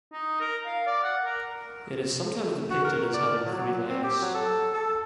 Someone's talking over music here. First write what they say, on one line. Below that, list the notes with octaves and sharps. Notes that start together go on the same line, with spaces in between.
It is sometimes depicted as having three legs.
D#4
A#4
F5
D5
F#5
A#4
F#4
A#4
D5
F#3
C4
G4
F#3
A4
A4